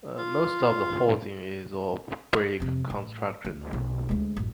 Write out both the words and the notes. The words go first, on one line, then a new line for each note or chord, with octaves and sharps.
Most of the housing is of brick construction.
F4
F2 C3
A1
D2
B1
D2 G#3
A1 F#2